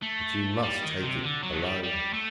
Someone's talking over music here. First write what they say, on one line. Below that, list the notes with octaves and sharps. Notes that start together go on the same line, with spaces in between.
But you must take it alone.
A3
G3
D#3
C3
D3
F#3
A3
G3
G3
A3